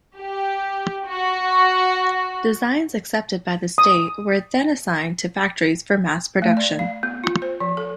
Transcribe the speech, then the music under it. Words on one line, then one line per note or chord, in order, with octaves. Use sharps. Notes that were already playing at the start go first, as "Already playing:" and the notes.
Designs accepted by the state were then assigned to factories for mass production.
G4
F#4
D#6
A3
D5
F5
B3
F4
C5
F3
A4